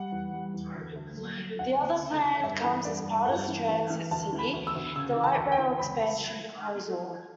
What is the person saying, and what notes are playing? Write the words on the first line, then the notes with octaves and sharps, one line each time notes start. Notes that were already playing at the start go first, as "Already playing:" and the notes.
The other plan comes as part of Transit City, the Light Rail expansion proposal.
Already playing: G3 F#5
E2
G3
E2
D2
D2
F#3
F#3
D2 F#5
D2
C#3
D2
G2 E5
E3
G2 D5
G3
G2 F#5
E3
E3
E3
D2 A5
E3
B5
D2
E6
D2
C#3 E6
E3
A5
D2
G5
E3
C#2 B5
C#2